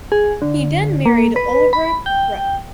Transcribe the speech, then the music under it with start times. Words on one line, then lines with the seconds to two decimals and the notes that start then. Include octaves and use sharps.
He then married Ulrike Reck.
0.12 G#4
0.42 D3
1.06 A#3
1.36 B4
1.73 B5
2.06 G5